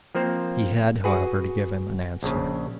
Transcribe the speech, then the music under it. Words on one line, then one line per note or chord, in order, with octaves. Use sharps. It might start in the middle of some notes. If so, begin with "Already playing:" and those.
He had, however, to give him an answer.
F3 A#3 C4 C5
F#4 G#4 B4
A#1 C#3